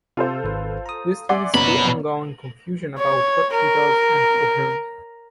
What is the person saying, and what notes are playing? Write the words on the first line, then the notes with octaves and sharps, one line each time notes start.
This leads to ongoing confusion about what she does and for whom.
C3 F4 A4 C5
G#1 B4
A#5 D#6
D5 E5 F#5 G#5 C6 D6
F#1 B2 B3 C#5 D5 A#5 B5
C#5
A#4